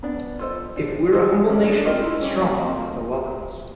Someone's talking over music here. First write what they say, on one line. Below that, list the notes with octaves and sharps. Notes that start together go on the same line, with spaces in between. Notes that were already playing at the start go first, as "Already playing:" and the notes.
If we're a humble nation, but strong, they'll welcome us.
B3 D4
F4 A4 C5 D#5
D4
F4 A4 C5 D#5
G3 C#4
D#4
D4
C4 D#4 F4 A#4 D#5
E4
G3 C#4
A#3
A#3 C4 F4 A#4 D#5
A3